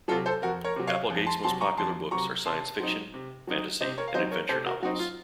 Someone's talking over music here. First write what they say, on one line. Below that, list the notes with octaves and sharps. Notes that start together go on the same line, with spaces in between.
Applegate's most popular books are science fiction, fantasy, and adventure novels.
C3 F#3 F4 A4
A4 C5
F2 F#4 A#4
A#4 C#5
C3 F#3
C#5 F5
F2
A5 C6
C3 F#3 A5 C6
A#5 C#6
F2 A5 C6
C3 F#3 A#5 C#6
C3 A5 C6
F#3 C4 D#4
C3
F#3 C4 D#4
C3 C5 D#5
A#4 C#5
F5
F#3 C4 D#4 C5 D#5
A#4 C#5
C3 A4 C5
F#4 A#4
F#3 C4 D#4 F#4
F4